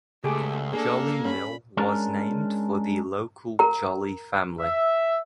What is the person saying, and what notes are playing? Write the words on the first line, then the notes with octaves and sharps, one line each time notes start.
Jolly Mill was named for the local Jolly family.
C#2 A3 G4 G#4 D6
A#3 D4 G#4 A4
C#4 B5
G#3 C#4 D4 A#4
A#4 A#5
E5